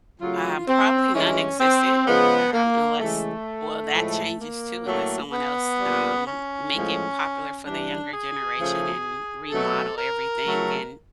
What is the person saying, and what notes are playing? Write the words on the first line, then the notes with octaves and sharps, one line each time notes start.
Um, probably nonexistent, um, unless well, that changes too, unless someone else, um, make it popular for the younger generation and remodel everything and
C#3 F#3 A3 F4
C4
G2 E3 G#3 C#4
C4
C#3 F3 G#3 B3
A#3
C#3 E3 G#3 A3
A2 F3 G#3
A#3
A2 F#3 A3
B3
A#2 G3
C#4
A2 F3 G#3
G2 E3 G3 D4
G#4
C#3 F3 A3
B2 F#3 A3 A4
A#4
C#3 F#3 A3